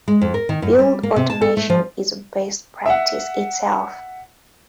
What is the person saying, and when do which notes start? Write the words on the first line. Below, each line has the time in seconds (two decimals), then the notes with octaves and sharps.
Build automation is a best practice itself.
0.08 G#3
0.21 F2
0.34 A#4
0.49 D#3
0.62 F#2
0.79 G3
1.03 A#3
1.16 C3
1.30 A5
1.42 A4
1.57 A3
1.70 F3
2.86 E5 F#5